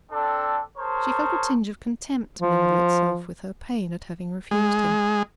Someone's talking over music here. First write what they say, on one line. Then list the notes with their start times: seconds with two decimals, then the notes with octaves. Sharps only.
She felt a tinge of contempt mingle itself with her pain at having refused him.
0.12 C4 D4 A4
0.78 G#4 A#4 C5 C#5 A5
2.41 F3
4.51 G#3